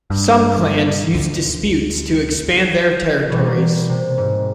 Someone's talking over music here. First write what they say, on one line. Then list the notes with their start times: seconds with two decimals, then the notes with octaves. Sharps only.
Some clans used disputes to expand their territories.
0.10 G2
1.14 D2
3.30 B2 E3 G3
3.47 A#3
3.89 C3
4.18 G#2